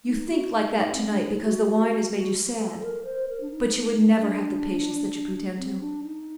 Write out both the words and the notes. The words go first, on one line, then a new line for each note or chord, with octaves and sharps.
"You think like that to-night because the wine has made you sad, but you would never have the patience that you pretend to."
D#4
F#4
D#4
D#4
C4
D4
D#4
F#4
F#4
A4
A#4
C5
A#4
D4
D#4
D4
C4
D4
D#4